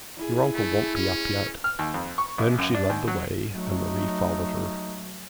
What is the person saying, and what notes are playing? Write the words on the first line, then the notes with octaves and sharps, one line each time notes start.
Your uncle won't be up yet.' Then she led the way, and Marie followed her.
E4 G#4
A3
C#4
F6
D#2
F2
C#6
A#1
F#2
D4
D#2
F#3
F#3 A3 D#4